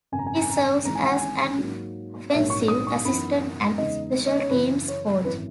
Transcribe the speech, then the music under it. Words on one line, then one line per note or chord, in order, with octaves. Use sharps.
He serves as an offensive assistant and Special Teams coach.
G#1 F#2 C#3 G#5
A#5
G#5
A#5
G#5
A#5
G#5
G#1 G#2 E3 G#3 A#5
G#5
F#5
G#5
G#2 F#3 A#3
A#1 G#2 F#3 A#3 C#4 E5
C#6
D#6
C#6
F#2 E3 B3 D#4 B5
E2 C#3 G#3 D#4 D#5
D#5
C#5
F#2 C#3 E3 B4
C#5
G#1 F#2 E3 B4